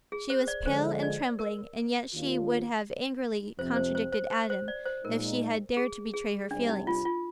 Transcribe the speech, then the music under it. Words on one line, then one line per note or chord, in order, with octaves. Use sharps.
She was pale and trembling, and yet she would have angrily contradicted Adam, if she had dared to betray her feelings.
G#4
C5
D5
D3 F3 G#3 C5
D5
A#4
D#2 D#3 A#3 D4 F4
F2 C3 F3 C4 C5
C5
C5
C5
C5
C5
D5
C5
A#2 G#3 D#4 A#4
G#4
G#4
C2 C3 G3 D4
D#4
F4
F4